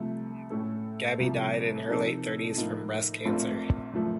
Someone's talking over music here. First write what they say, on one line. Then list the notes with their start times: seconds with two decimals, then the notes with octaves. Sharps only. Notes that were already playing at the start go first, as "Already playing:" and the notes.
Gaby died in her late thirties from breast cancer.
Already playing: C2 C3 F3 A3
0.50 A2 A3 C#4 A4
1.20 C2 C3 F3
1.88 C3 F3 A#3 D#4 A4
2.56 A2 F3 A#3 D#4
3.25 A#1 A#2 A3 C4 F4
3.93 F#1 F3 A3